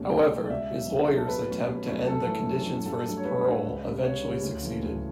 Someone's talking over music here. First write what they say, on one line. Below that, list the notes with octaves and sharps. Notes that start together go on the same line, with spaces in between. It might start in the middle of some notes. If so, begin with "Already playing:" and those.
However, his lawyers' attempt to end the conditions for his parole eventually succeeded.
Already playing: C#2 B2 A3 C#4
C#2 G5
B2 A3 C#4
D5
C#2 E5
B2 F#3 C#4
C#2
B2 F#3 C#4
A4
B2 B4
F#3 A3 C#4
B2
F#3 A3 C#4
F#2 A4
E3 A3 C#4
F#2
E3 A3 C#4
G2 A4
F#3 A3 D4
C#5
G2 B4
F#3 A3 D4
C#2
C#3 G3
C#2 C#5
C#3 G3
D2
C#3 E3 A3
D2